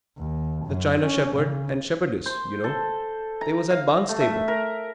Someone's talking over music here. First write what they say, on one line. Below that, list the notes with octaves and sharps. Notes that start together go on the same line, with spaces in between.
"The china shepherd and shepherdess, you know; they was at Barnstaple."
D#2
F#2
C#4
C#3
C5
A4
A#5
F5
A3
E5
A#4